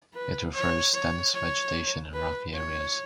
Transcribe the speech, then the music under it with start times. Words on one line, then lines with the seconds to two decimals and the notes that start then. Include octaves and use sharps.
It prefers dense vegetation and rocky areas.
0.14 B4
0.53 C#5
0.94 C#5
1.34 C#5
2.14 B4
2.54 C#5